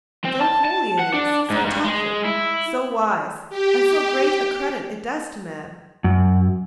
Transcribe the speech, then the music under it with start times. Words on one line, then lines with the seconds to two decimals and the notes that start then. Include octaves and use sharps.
So holy it is, so touching, so wise and so great a credit it does to man.
0.25 C4
0.41 A5
0.65 A5
0.99 F#5
1.14 D4
1.50 G#2
1.65 G2
1.84 G#3
2.24 E4
3.49 G4
6.04 F#2